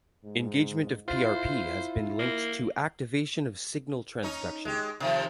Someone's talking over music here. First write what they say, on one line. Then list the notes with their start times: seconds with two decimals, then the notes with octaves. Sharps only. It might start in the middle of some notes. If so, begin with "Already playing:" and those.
Engagement of PrP has been linked to activation of signal transduction.
0.24 G#2
1.08 E4 F4 C5
2.19 A#3
4.23 C#4 D#4
4.65 G#3 G4
5.00 C3 D#3 F3